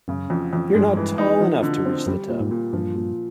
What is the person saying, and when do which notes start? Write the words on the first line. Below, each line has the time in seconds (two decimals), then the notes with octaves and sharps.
You're not tall enough to reach the tub!
0.08 F#2 C#3
0.30 F2
0.53 F2
0.75 G2 G#3
0.97 E3
1.18 D#4
1.40 F3
1.63 D3
1.85 C4
2.06 F#2 G3
2.29 A#2
2.40 G#2
2.51 A#2
2.73 G2 F3
2.95 A#2